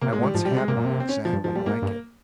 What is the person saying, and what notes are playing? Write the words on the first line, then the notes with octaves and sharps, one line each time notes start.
"I once had one exactly like it."
C3 A#3
G#3
A#2
G3
G#2 F3
G3
C3
G#3
C3 A#3
A#2
C3
C4
C#4
F3
G2
G#2 F3
A#2 G3
G#2 A#3
G2